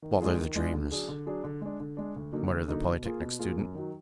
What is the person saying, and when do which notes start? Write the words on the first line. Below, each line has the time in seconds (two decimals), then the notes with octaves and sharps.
"Bother the dreams!" muttered the Polytechnic student.
0.02 D#3
0.20 G#3 D4 F4 G#4
0.37 D#3
0.55 G#3 D4 F4 G#4
0.73 D3
0.91 F#3 D4 G#4
1.08 D3
1.26 F#3 D4 G#4
1.44 D3
1.61 G#3 D4
1.80 D3
1.97 G#3 D4
2.16 D2
2.32 D3 F#3 A#3 D#4
2.50 D2
2.68 D3 F#3 A#3 D#4
2.86 B2
3.04 A#3 F4 G#4
3.22 B2
3.39 A#3 F4 G#4
3.58 F#2
3.75 D#3 F#3